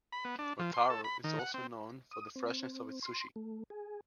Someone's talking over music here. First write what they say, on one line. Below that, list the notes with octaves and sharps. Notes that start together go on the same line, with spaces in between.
Otaru is also known for the freshness of its sushi.
B5
B3
D4
F3
C6
A4
B5
D#3
F#5
C4
D#6
C4
C6
A3
G#4